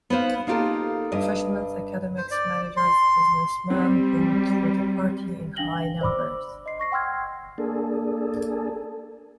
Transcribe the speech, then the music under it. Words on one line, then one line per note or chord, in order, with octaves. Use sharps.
Professionals, academics, managers, businessman vote for the party in high numbers.
B3 D#4 C5 F5
A#3 D#4 F4 G4 A4 A#4
G2 D#5
C5
D5
C6
G3 C4
D4 F5 G5 A#6 F#7 G7
C5 D5 B5 D6 E6
D#5 C6 C7
C#6 A#6 C7
F#5 G5 C6 E6 F6 G#6
A#3 D4 G#4 A4